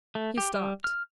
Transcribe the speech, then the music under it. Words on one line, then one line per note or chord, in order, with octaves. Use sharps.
He stopped.
A3
G4
G3
F6